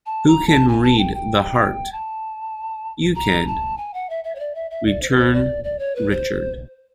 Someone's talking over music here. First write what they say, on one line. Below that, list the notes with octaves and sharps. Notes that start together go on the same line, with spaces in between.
"Who can read the heart?" "You can," returned Richard.
A5
A#5
A5
G#5
A5
G5
G5
A5
A#5
A5
G#5
F#5
E5
E5
C#5
D5
E5
E5
D5
C5
B4
C5
D5
D5
C#5
B4
C5